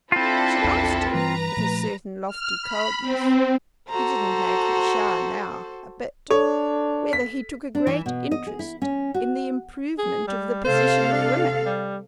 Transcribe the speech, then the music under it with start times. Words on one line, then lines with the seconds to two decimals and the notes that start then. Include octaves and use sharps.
She asked him, with a certain lofty coldness--he didn't make her shy, now, a bit--whether he took a great interest in the improvement of the position of women.
0.12 C4 D4 E4 F4 A4
0.64 A#1 E2
1.13 G2 E3 B4 A#5
1.57 A#2 F3 A3
2.27 F6
2.62 B5
3.01 C4
3.89 F#4 A4 C5 A#5
6.31 D4 A4 C#5
7.13 B6
7.75 D4
7.87 E3
8.06 B2
8.31 D#5
8.47 G#4
8.59 E4
8.82 C#4
9.14 F#4
9.98 G#4
10.28 G3
10.65 C3 A4 C5 F5
11.13 D4
11.66 G3